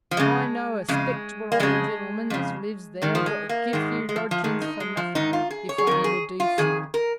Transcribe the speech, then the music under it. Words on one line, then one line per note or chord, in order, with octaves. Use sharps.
"I know a 'spectable old genelman as lives there wot'll give you lodgings for nothing if I interduce you."
F3
F2 C#3 G#3
F2 C#3 G#3
A#3
F2 C#3 G#3
F2 C#3
G#2 D#3
F3
G#3
A#3
G#2 D#3 G#3
G#3
F3
F3
G#2 D#3 G#3
D#4
G#3
F3
G#2 D#3 D#4
F4
G#4
C#5
G#4
F2 D#3 A#4
G#4
F4
F2 D#3 G#4
A#4